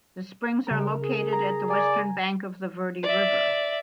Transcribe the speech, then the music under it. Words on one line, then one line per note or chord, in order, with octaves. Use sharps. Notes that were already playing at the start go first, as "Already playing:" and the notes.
The springs are located at the western bank of the Verde River.
C#3 G3 A#4
G#4
A#5
D5 G#5
D5 E5